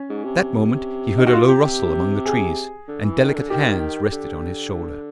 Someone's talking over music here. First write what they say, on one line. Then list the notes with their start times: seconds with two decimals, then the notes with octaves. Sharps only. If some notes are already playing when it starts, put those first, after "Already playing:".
At that moment he heard a low rustle among the trees, and delicate hands rested on his shoulder.
Already playing: C#4
0.09 G#2
0.24 C3
1.18 D#4
1.27 F#4
1.33 F4
1.48 G4
1.64 C3
2.25 G#4
2.88 D3
3.03 E3
3.19 D#3
3.34 D3
3.49 D#3 G4
4.12 D3